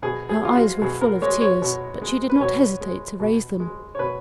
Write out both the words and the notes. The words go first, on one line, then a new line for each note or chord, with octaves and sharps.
Her eyes were full of tears, but she did not hesitate to raise them.
B2 G#4
G#4
G#3 F4
F#4
B2 G#4
A#4
G#3 C#5
C#5
B2
G#3
B4
B2 C#5
G#3
B2
G#3
C#5
B2 B4